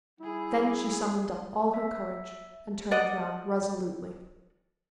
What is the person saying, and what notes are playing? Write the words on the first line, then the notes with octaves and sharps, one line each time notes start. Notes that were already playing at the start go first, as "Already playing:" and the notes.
Then she summoned up all her courage, and turned round resolutely.
G3 E4 G#4
E5
D5 D#5 F#5